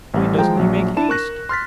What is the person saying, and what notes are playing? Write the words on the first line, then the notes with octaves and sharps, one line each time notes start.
'Why doesn't he make haste!'
A1 G3
F3 G#3 G5 A#5
A#1 F#3
D4 E4 A5 E7
A#4 C#6 F#6 A#6
C6 F6 A6 B6